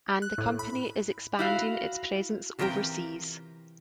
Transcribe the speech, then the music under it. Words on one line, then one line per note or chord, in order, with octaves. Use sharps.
And the company is expanding its presence overseas.
F#6
A2
B5
E4 F#4 F5
C3 E3 F4 G4 A#4 G5